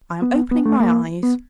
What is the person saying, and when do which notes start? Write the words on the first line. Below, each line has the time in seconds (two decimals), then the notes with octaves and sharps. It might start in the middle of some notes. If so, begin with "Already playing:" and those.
I am opening my eyes.
0.22 B3
0.52 B3
0.66 A3
0.80 A#3
1.23 B3